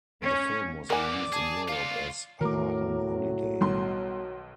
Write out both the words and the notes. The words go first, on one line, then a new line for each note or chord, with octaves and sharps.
The film was released in Europe as "Harem Holiday".
C#4
E3 A#3 A#4 D5 F#5 G#5 D6
G#4 A5
F4 C#5 F5
A2 D#3 F#3 A3 A#4 D6
B1 D#3 G3 B3 C6